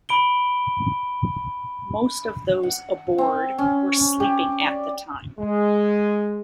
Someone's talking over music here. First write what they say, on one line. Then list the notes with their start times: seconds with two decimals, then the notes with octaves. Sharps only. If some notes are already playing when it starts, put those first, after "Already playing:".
Most of those aboard were sleeping at the time.
0.09 B5 D7 G7
2.63 F#5
3.18 C4
3.58 C#4
3.97 C#4
4.20 G4
4.60 D5
5.39 G#3